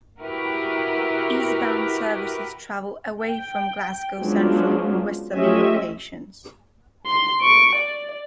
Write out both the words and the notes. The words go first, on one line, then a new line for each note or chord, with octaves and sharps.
Eastbound services travel "away from" Glasgow Central from westerly locations.
E4 F#4 G4 A#4 B4
G5
F3 F#3 G#3 B3 C#4 D4
F3 A3 C#4 G4 D#5 E5
C6
C#6 D7
D5